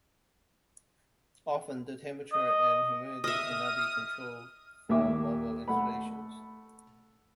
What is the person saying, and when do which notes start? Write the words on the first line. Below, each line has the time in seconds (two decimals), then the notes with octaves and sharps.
Often the temperature and humidity cannot be controlled for mobile installations.
2.33 D#5
3.24 D#5 E5 D#6 F6
4.89 D#2 E5 D6
5.68 A3 F#5 B5